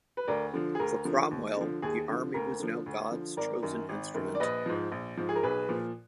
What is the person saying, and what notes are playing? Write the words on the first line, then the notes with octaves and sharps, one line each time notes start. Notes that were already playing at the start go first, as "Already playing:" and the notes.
For Cromwell, the army was now God's chosen instrument.
B4
D2 A#4 D5
D3 F3
G#4
D2 A#4
D3 F3
D#2
D3 F3
D#2 G#4
D3 F3
D2 A#4
D3 F3
D2
D3 F3
G#1 A#4 D5
F#2 D#3
G#1
F#2 D#3
D5
A#1 B4 D#5
G#2 F3
A#1
G#2 F3
G#4
A#4
B1 G#4 B4
A#2 F3